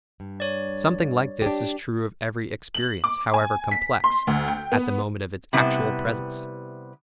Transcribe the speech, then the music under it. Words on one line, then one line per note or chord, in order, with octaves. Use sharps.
Something like this is true of every experience, however complex, at the moment of its actual presence.
G2
C#5 D5
D4 G4
F#7
D6
G#5
B6
C6
D2
G5
B3
C3 G3 B3 E4